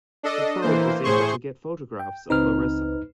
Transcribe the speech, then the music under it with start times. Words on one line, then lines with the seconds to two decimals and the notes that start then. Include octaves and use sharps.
The probe was able to get photographs of Larissa.
0.23 D4 A4 D#5
0.62 E3 A#3 C5
1.04 A2 G#4 C5 C6 C#6
1.99 G5
2.30 C#2 C4 D#4 B4 F6